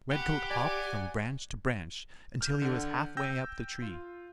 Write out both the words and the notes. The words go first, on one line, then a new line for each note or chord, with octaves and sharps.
Redcoat hopped from branch to branch until he was halfway up the tree.
G4 F#5 B5
D5 F#5 G#5 A#5
F6 G6
D3 F#5
G5 E6 G6 A#6
F4